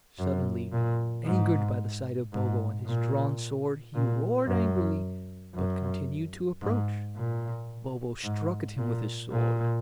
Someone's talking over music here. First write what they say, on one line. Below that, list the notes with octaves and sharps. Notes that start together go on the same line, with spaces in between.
Suddenly, angered by the sight of Bobo and his drawn sword, he roared angrily, but continued to approach. Bobo struck at him with his sword.
F#2
A#2
G#2
G#2
A#2
A#2
F#2
F#2
G#2
A#2
G#2
A#2
A#2